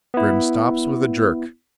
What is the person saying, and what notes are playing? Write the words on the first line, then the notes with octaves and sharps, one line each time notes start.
Grim stops with a jerk.
B3 E4